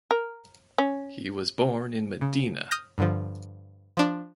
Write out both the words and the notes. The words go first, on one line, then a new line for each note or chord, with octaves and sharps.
He was born in Medina.
A#4
C#4
C#3
D#6 F6 G6 A#6
G2 D3 F3
F3 D4